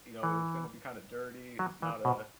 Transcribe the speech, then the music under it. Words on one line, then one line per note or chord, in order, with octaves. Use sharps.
you know, it was gonna be, kinda, dirty. It's not a
E3
F#3
E3
B2